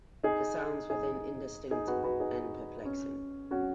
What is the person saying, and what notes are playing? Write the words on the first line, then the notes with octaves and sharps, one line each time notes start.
The sounds within indistinct and perplexing.
D#4 G#4
D#4 G#4
D#4 G#4
F#4 B4
F#4 B4
D#4 G#4
C#4
C#4 F#4